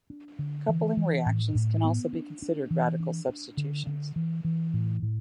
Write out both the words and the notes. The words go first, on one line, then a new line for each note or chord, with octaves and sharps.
Coupling reactions can also be considered radical substitutions.
D4
D3
E3
E3
A2
A2
B3
D4
D4
E3
D4
D4
D3
D3
E3
E3
A2
A2